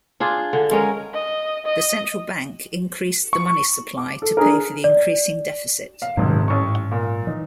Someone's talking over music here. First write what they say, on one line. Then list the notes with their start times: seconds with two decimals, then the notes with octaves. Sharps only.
The Central Bank increased the money supply to pay for the increasing deficit.
0.20 D4 F4 G#4
0.53 D3
0.71 G#3 C#4 A#4
1.14 D#5
1.66 D#5
3.33 C#6
3.98 D6
4.22 A4
4.37 D4 G#4 A#4
4.84 D5
6.02 F5
6.17 D#1 G#1 G#2 C3 F#3
6.48 A1 C#6
6.91 A#2
7.27 E3 D#4